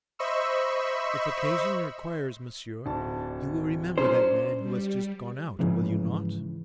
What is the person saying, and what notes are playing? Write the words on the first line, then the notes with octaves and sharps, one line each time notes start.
"If occasion requires, monsieur, you will remember that man who has just gone out, will you not?"
C5 D#5 E5 B5 C#6 E6
D1 D4 A5
F#3 C#4 D4 C5
G3
G#2 C#3 E3 F3 G#3 C#4